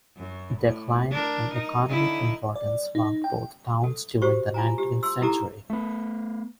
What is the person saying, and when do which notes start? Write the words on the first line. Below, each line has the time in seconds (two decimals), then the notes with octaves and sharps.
Decline in economic importance marked both towns during the nineteenth century.
0.16 F#2
0.60 A2
1.11 D4 A#4
1.54 D#4
1.88 D3 D#4 E4
2.56 D5
2.95 D#4
3.24 G5
3.84 A4
4.22 F#4 G4 C5 C#6
4.54 F4 G#5 A#5
4.78 G4
5.03 C6 E6
5.21 D#4 E4 G4 A4 A#5 D6
5.70 A3 B3